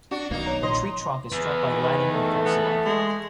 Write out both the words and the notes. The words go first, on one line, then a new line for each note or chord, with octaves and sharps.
The tree trunk is struck by lighting and comes to life.
D4 F#4
B1 B2 D#3 A#3 D#4
C#5 A#5
A#1 D#5 C6
E2 B4
D#3
A3
B3
G#3